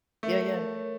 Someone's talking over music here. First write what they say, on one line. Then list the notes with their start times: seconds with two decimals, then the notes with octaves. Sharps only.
Yeah, yeah.
0.23 A3 A#4
0.46 C#5
0.68 C#5